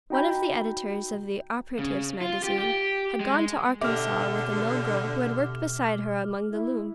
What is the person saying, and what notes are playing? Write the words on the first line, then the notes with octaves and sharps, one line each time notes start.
One of the editors of the "Operatives' Magazine" had gone to Arkansas with a mill-girl who had worked beside her among the looms.
D#4 F#4 G5 A#5 B5 G6
C#3
F4
G4
G4
G#3
B2 D3 G4 E5 D6 F6
E4